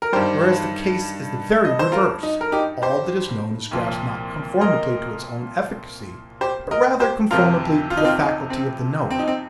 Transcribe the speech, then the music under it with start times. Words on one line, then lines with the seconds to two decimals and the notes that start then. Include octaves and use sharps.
Whereas the case is the very reverse: all that is known is grasped not conformably to its own efficacy, but rather conformably to the faculty of the knower.
0.02 A#4
0.12 G2 D#3 G3 G4 C5
1.65 D#5
1.79 C5
1.92 F4 A#4
2.23 D#4
2.41 A#4
2.52 D#4 G4
2.82 G4 C5
3.71 C2 A#2 F3
4.61 A#4 D#5
6.41 G4 C5
6.71 A#4 D#5
7.00 G4 C5
7.31 F2 C3 F3 F4 A#4
7.90 F4
7.97 D#4
8.05 C4 F4
8.20 D#4
8.50 C4
9.11 C4
9.19 D#4
9.28 C4